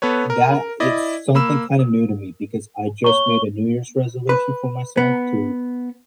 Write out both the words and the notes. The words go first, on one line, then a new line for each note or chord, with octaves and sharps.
that is something kind of new to me because I just made a New Year's resolution for myself to
B3 A4 B4 C#5
A#4
E4 D5 D#5
A#3 B5 E6 E7
A#4
C#5 G#5 A#5 C#6 G7
B4
B3